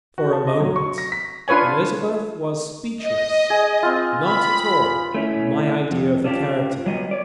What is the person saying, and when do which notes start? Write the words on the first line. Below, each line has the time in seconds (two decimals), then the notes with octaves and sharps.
For a moment Elizabeth was speechless--not at all my idea of the character.
0.18 F#4
0.33 A5
0.47 D#5
0.60 F#3
0.76 C#6
0.98 A#6
1.12 B6
1.48 D4 F4 B4 C#5 G#5
3.04 D#5
3.50 G#4
3.83 C4 F4
4.26 B5
5.15 A3 C#4 E4
5.91 F2
6.24 C#4 D4 F4 G4
6.86 F#3 G3 B3 D#5
7.11 C#5 D5